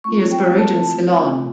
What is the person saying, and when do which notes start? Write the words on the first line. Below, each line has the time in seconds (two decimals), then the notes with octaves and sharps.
He is buried in Ceylon.
0.04 A3 C4 F4 C#6
0.31 G5
0.58 A5